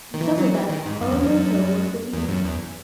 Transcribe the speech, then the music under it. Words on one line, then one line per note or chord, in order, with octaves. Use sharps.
Because of that, Harumoto was defeated.
D#3
E3
F#3
E3
D#3
G#2
F#2
E2
F#2
E2
F#2
E2